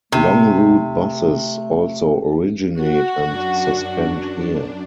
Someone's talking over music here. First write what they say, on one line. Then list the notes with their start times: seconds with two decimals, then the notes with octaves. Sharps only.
Long route buses also originate and suspend here.
0.12 C3 A3
2.79 F#4
3.25 F#2 D4